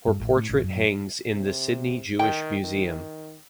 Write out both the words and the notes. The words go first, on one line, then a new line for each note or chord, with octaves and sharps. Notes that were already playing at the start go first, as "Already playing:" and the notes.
Her portrait hangs in the Sydney Jewish Museum.
G2
A1
A2
A1
F#2
C3
D#3 G5
D#3